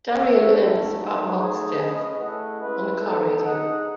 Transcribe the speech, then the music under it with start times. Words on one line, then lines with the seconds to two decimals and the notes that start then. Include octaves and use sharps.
Daria learns about Mark's death on the car radio.
0.14 F#4 C#5 E5
0.55 C#4 E4 A4
0.97 G#3 D#4 F#4 B4
1.37 A3 D#4 G#4
1.78 C#4 G#4 B4 D#5
2.18 A3 E4 G#4 D#5 F#5
2.60 G#3 C#4 E4 B4
3.00 B3 D#4 A4
3.40 D#4 G#4 D#5 F#5